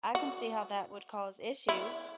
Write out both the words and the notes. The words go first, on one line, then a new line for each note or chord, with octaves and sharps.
I can see how that would cause issues.
F#4
E4